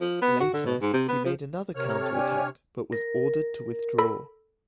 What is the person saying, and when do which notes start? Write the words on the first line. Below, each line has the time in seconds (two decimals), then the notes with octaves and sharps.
Later, he made another counterattack, but was ordered to withdraw.
0.01 F3
0.22 B3
0.40 F#4
0.53 D3
0.66 B2
0.81 G#2
0.93 C3
1.08 B3
1.25 F3
1.75 C3 A#4 C#5 F6
1.98 G4 A4 C5
2.12 D4 G4 G#5
2.92 A#4
3.98 A4 B5